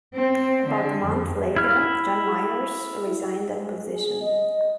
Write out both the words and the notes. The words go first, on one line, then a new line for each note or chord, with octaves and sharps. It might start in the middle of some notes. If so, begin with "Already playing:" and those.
About a month later, John Moyers resigned that position.
C4
D3
F2
E4 F6
G#3
G#4
D#5